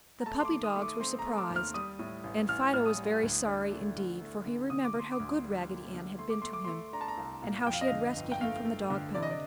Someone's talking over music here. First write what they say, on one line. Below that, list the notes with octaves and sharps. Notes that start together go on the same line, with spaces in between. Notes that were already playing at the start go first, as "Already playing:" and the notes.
The puppy dogs were surprised, and Fido was very sorry indeed, for he remembered how good Raggedy Ann had been to him and how she had rescued him from the dog-pound.
A#5
A3 A5
C6
D6
D#3
D#6
A3
D6
C4 C6
A#5
A3
D6
D#2
F6
G3 D#6
A2
A1
A1 F6
A2 F6
D#6
G3
D2
D4
A3
D2
A3
D3
D3 D#6
D6
D3 C6
D6
D2
G3
A#3
D3
A3 C6
D6
A3 C6
D6
A3 C6
D4 A#5
A5
A#5
C2
A#2
F2 G5
F5
D#5
D3 F5
G1
G5
A3 F5
A3
D3
C3 D5
D#5
D5